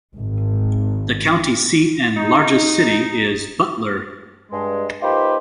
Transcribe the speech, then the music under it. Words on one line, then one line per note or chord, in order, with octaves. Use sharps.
The county seat and largest city is Butler.
G#1
D#4
G2 G#3
A#3 D#4 F4 G4 B4 C5